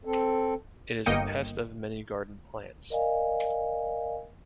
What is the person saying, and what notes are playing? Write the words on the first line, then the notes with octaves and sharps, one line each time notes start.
It is a pest of many garden plants.
C4 A4
G1 A#3 D#5 G5 C#7 D#7
A#4 D5 D#5 F5 G#5